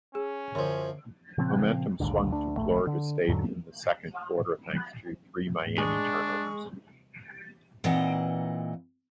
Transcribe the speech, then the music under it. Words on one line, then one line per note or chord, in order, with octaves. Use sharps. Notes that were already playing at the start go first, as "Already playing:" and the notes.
Momentum swung to Florida State in the second quarter thanks to three Miami turnovers.
C#4 G#4
F#2 D3 F3 C#5 C6
A#2 C#3 F3 C4
A#1 D#2 G#2 D3
D2 D4
D1 A#1 A3
D3
E2 G#2 D3 F#3
G#3 D4 G#4 C#6
A#2 E3 C4 D#4 D#5 F#5